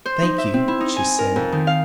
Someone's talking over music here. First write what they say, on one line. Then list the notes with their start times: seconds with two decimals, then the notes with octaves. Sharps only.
"Thank you," she said.
0.05 C5
0.22 D#4
0.38 E5
0.54 C4
0.68 E4
0.80 D#4
0.96 G#5
1.19 A#4
1.36 F2
1.52 D#3
1.67 F5